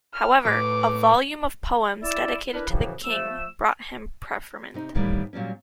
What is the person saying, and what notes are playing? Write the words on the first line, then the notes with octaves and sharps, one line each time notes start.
However, a volume of poems dedicated to the king brought him preferment.
F6
A2 B4 D6
E4 D5 E6
D4 E4 A#4 B4
F#2 A2 C#3 E3 F3
F3 A3 E6
C3 C4 D#4
A2 D#3 E3 G3 A#3
A#2 F#3 G3 C#4